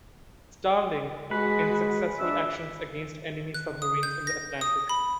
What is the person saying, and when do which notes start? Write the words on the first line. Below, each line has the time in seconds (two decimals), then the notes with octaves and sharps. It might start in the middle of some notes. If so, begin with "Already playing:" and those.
"Starling" in successful actions against Enemy submarines in the Atlantic.
1.31 G#3 F#4 B4
2.19 D4 E5
3.54 F#6
3.82 D#6
4.03 G6
4.27 A#6
4.61 D#6
4.89 B5